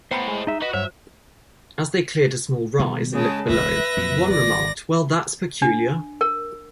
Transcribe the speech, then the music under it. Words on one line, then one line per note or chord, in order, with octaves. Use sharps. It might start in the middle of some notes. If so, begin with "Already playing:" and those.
As they cleared a small rise and looked below, one remarked Well that's peculiar!
A2 B3 C5 G5 A#5 B5
G#3
D#4 E5
F#4 B4 D#5
G2 F#3 C5 C#5 E5
B2 D#3 G3
C#3 G#3 A5
E1 C#2 B4 E5 A#6
F2 A#2 F#3
G#1 D5 A#6
D4
A#4